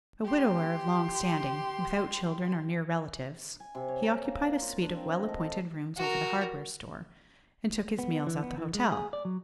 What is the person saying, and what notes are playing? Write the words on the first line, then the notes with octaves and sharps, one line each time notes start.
A widower of long standing, without children or near relatives, he occupied a suite of well-appointed rooms over the hardware store and took his meals at the hotel.
G4 C6
G#5
C3
C#5
A#4
A#3
A#4
F4
D4
C4
D#5
A4
A4
F#4 A#4
B3
E3
B3
E3
G#3
G#4
D5
F#3